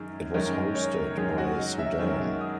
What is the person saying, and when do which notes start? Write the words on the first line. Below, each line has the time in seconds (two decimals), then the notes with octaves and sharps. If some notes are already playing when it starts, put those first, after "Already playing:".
It was hosted by Sudan.
Already playing: F#2 D#3 G#3 C#4
0.34 F#2 D#3 G#3 C#4 A#4
0.55 A#4
0.75 C#5
0.96 A#4
1.17 F#2 D#3 G#3 C#4 G#4
1.38 F#4
1.58 D#5
1.79 E5
1.99 F#2 D#3 G#3 C#4 E5
2.41 D#6